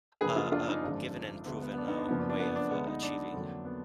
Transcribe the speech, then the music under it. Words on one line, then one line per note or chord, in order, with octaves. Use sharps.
a a given and proven, uh, way of a achieving,
F#1 F#2 F3 A#3 G#4 B4
F4 G#4
D4 F4
D#4
D4
G#1 F#2 D3 F3 G#3
D2 D3 G#3 B3
B3
B3
D4
B3 D#4
D4
F#1 F#2 F3 A#3 B3
D4
D4
B3
D4
D2 D3 G#3 B3
B3 D#4
D4
F2 D3 F#3 A#3
B3